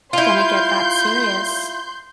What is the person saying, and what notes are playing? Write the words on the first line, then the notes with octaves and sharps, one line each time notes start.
gonna get that serious.
E4 F4 C6 G6